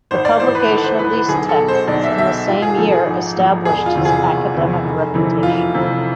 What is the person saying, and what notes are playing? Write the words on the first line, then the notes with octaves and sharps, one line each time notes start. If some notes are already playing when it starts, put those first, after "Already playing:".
The publication of these texts in the same year established his academic reputation.
G#1 C5
D5
G#2 E3 C5
B4
G#1 A4
C5
G#2 E3 B4
B4
B1 G#4
A4
B2
C5
B1 D5
E5
B2 E5
G#1 F4
G#4
G#2 F3 A4
G#4
G#1
G#2 F3
E1 G#4
F4
E2 C3 E3
G#4
E1
E2 C3 E3
F1
F2 C3 E3
F1 F4
F2 C3 E3